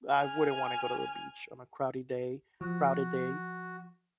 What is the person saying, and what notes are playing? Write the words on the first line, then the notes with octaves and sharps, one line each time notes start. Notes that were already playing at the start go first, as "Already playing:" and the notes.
I wouldn't wanna go to the beach on a crowdy day crowded day,
G#5 F6
F3 F#4